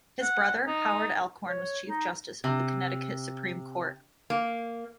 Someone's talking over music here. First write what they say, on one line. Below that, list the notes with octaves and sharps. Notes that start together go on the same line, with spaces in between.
His brother Howard Alcorn was chief justice of the Connecticut Supreme Court.
F#5
D#4
C#5
D#4
C3
A#3